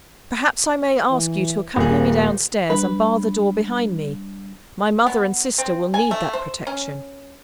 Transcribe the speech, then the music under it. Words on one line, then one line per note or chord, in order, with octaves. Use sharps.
Perhaps I may ask you to accompany me downstairs, and bar the door behind me; my mother and sister will need that protection.'
E3
D#1 A#3 G#4
G3 D4 B4
B3
C4
G#5
A3
C5
C#4